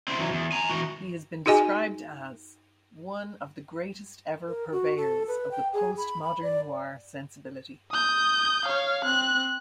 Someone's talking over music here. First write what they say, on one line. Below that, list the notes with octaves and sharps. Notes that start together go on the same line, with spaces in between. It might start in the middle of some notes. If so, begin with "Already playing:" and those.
He has been described as: one of the greatest-ever purveyors of the postmodern-noir sensibility.
C4 E4
E3 F#3
E2
G#5 A#5
E3 F#4
D#4 F#4 G#4 D#5 G#5
A#4
F#4
A4
B4
G5
G#4
B5
B5
D5
D#6 G6
C#5 F5
C4 F#6